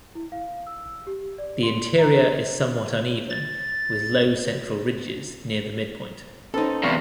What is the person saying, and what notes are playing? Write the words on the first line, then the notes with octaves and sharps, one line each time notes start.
The interior is somewhat uneven, with low central ridges near the midpoint.
E4
F5
E6
G4
D5
C6
A#5
A6
C#4 D#4 A4 B4 C5 A5
E2 C3 D5 F5 B5 C#6